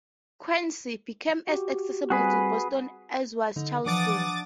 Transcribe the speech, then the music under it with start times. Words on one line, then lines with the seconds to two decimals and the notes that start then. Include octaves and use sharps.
Quincy became as accessible to Boston as was Charlestown.
1.47 F#4 G4
2.10 G3 C4 F#4 G#4 B4
3.56 D3 D#4
3.86 E3 F3 D4 F#5 D6 D#6 A6